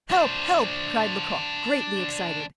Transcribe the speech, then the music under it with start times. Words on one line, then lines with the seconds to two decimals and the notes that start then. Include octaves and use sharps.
"Help! help!" cried Lecoq, greatly excited.
0.11 D4 C5